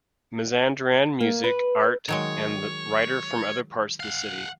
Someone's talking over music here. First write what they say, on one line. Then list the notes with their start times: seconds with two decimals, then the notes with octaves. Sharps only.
Mazandaran music, art and writer from other parts of the city.
1.20 A#3
1.44 B4
2.09 D#3 F#3 G#3 C#5
4.00 F5 F#5